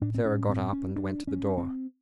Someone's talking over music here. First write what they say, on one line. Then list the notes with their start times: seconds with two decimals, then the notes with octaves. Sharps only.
Sarah got up and went to the door.
0.01 A2 D4
0.15 C4
0.25 C#4
0.49 C4
0.73 C#4
0.96 D4
1.27 C#4
1.58 C4